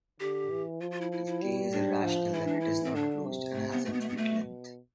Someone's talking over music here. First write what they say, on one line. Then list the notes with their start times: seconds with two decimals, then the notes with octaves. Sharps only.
If "k" is irrational, then it is not closed and has infinite length.
0.20 D3 G4
0.50 E3
0.81 F3 F4
0.91 F4
1.01 E4
1.12 E4
1.27 E4
1.42 G3
1.73 D4
2.04 F3
2.34 E3 E4
2.47 D4
2.60 E4
2.85 C4
2.95 D3 D4
3.26 C3
3.55 A3
3.71 B3
3.85 B2 A3
3.93 B3
4.01 A3
4.09 B3
4.17 A3